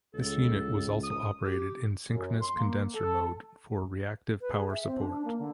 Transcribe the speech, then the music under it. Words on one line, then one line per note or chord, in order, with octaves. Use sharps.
This unit was also operated in synchronous condenser mode for reactive power support.
C#2 A4
D#6
G4
F#2
C6
A#3
A4
B4
G#4
E5
C4
D4
D4
A#3
D3